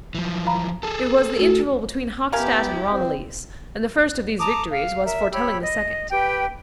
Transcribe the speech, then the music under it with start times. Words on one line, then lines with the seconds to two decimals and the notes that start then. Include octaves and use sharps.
It was the interval between Hochstadt and Ramillies, and the first of these victories was foretelling the second.
0.15 E3 F3
0.47 F5 A#5 B5
0.83 G#4 A4 A5
1.39 A3 F#4
2.33 B3 E4 G4 A#4 F5 G#5
2.89 C4
4.39 A5 A#5 D6 D#6
4.71 F5
5.05 A#4 E5
5.32 G4 C#5 B5 E6
5.61 D#5
6.12 G4 B4 G5